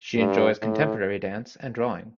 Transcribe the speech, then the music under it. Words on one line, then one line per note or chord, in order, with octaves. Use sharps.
She enjoys contemporary dance and drawing.
G2
A2